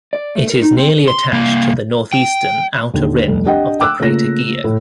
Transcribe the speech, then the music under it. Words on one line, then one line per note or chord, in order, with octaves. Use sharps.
It is nearly attached to the northeastern outer rim of the crater Guyot.
D5
A3
A#4
D#4
C4
C6
C2 A#3
G5
D#2 D3
F1 C2
D4 G4 D#5 F#5 G5
G5 D6 E6 F#6
C#3 A3 A#3 F4 A#6
A2